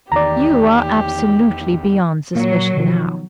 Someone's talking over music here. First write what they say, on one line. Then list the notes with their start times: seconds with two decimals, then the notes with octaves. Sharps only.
You are absolutely beyond suspicion now.
0.12 E2 D#3 G4 D5 A#5
2.35 A#2 F#3 A#3
2.77 B2 D#3 F3